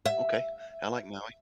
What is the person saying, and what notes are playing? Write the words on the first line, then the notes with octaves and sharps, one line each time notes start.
Okay. I like Maui.
E5